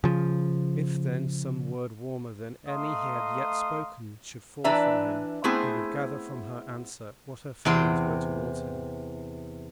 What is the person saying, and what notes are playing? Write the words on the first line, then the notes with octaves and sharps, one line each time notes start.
If then some word warmer than any he had yet spoken should fall from him, he would gather from her answer what her feelings were towards him.
C#3 F3
A3 D#5 F5 A#5 C6 D#6
E3 D4 B4 E5 A#5
A3 B3 C4 E4 G#4 C5
E2 C3 G5 C6